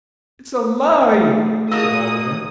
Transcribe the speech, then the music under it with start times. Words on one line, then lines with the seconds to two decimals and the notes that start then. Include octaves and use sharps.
'It's a lie!' said Oliver.
1.14 A3
1.72 A#3 E4 F#4 G#4 D#5 D#6 E6